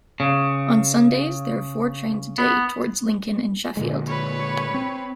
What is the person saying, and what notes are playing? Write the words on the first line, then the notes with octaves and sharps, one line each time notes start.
On Sundays there are four trains a day towards Lincoln and Sheffield.
C#3
B3
A#2 D3 G#3
B4 C#5
C4